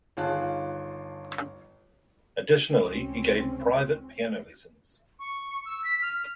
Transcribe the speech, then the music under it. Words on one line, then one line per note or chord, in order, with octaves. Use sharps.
Additionally he gave private piano lessons.
G1 D#3 F4 G#4 A5 F#6
F1 C#2 C4 C#4
C#6
E6
B6
F6